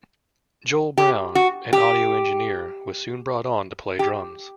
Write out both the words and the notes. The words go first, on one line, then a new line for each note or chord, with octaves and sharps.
Joel Brown, an audio engineer, was soon brought on to play drums.
G4
F#4
G4
G4